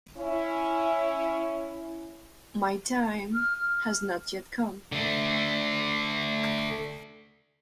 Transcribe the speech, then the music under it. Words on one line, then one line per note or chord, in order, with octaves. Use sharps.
My time has not yet come.
C#4 E4
F6
D3 A3